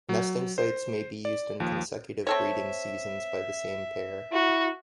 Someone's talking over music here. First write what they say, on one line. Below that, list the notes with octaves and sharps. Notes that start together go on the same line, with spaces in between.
Nesting sites may be used in consecutive breeding seasons by the same pair.
F#3
C5
D5
D#2 F3
C4 A4 C#5 E5
E4 F#4